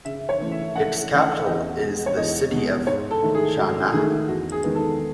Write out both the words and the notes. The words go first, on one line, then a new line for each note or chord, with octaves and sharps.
Its capital is the city of Chania.
C#3 E5
C#5
E3 A3 C#4
E5
C#3 F#5
E3 A3 C#4
F#5
E2 D#5
B2 G#3
C#5
E2 D#5
B2 G#3
G#2 C#5
A4
D#3 A3
G#4
G#2 F#4
D#3 A3 G#4
E2 F#4
G#4
D#3 G#3 B3
A4